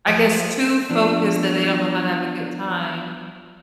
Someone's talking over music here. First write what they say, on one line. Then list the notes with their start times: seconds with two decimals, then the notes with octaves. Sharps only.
I guess too focused that they don't know how to have a good time.
0.07 F3
0.90 F3 B3 D4